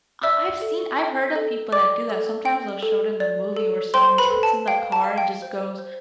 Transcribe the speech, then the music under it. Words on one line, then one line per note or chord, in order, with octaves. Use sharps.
Uh, I've seen I've heard of people that do that, sometimes they'll show it in the movie where someone gets in the car and just goes
D5 E5 E6
A4
G5
A4
D5 D6
A4
G5
A4
D5
A4
C5 G5 C6
B4 B5
A4
A5
F5 G5
A5
F5
G5
C5
C5